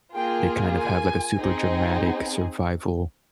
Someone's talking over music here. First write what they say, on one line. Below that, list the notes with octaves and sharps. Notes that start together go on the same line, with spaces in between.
they kind of have, like, a super dramatic survival,
A#3 F4 G#4 G5
G#5
C4 D#4 G#4